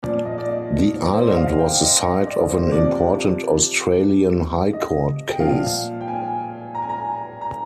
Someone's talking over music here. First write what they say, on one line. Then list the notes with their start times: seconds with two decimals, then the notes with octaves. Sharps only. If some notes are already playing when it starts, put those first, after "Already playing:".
The island was the site of an important Australian High Court case.
0.03 A#2 F3 D5
0.25 D#5
0.38 D5
0.48 D#5
1.14 C5
1.22 D5
1.29 D#5
1.37 F5
1.59 G5
1.82 D#5
2.05 D#5
2.27 D5
2.50 C5
2.72 C3 F3 D5
4.73 D#5
5.29 G5
5.40 A#2 F3 F5
6.01 G5
6.08 G#5
6.75 A#5
6.82 G#5
6.89 A#5
7.41 A#5